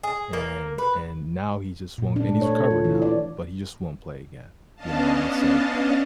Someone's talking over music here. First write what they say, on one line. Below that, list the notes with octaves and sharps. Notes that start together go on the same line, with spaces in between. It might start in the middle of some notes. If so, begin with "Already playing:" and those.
And and now he just won't and he's recovered now, but he just won't play again, you know, and it's like
G#4
A#3
B4
A#2
D4
A3
C#5
A4
F4
E3
D5
B3 C#4 D4 D#5 F5 A5